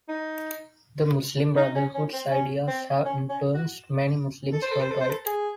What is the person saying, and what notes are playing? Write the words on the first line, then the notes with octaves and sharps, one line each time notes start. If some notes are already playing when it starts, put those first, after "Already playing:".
The Muslim Brotherhood's ideas have influenced many Muslims worldwide.
D#4
D#4
C#4
C#4
C4
C#4
C4
C#4
C#4
F#4
A4
C5
A4
C5
A4
C5
A4
G#4